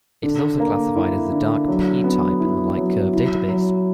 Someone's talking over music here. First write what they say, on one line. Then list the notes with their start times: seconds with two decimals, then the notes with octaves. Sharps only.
It is also classified as a dark P-type in the "Lightcurve Data Base".
0.23 D3
0.60 A#3
0.95 E4
1.32 D3
1.68 F#3
2.04 B3
2.40 E4
2.77 F#3
3.13 E4
3.48 F#3